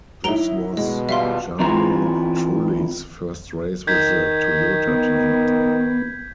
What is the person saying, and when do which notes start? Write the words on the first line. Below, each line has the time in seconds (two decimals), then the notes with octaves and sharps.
This was Jarno Trulli's first race with the Toyota team.
0.24 F#3 D#4 E4 A#5 D7 G7
0.77 B2 G#3 D#5
1.09 G3 F4 E5 F5 C6
1.60 E3 C4 E4 F4 A#5
3.87 D#3 G6 G#6 B6
4.87 B3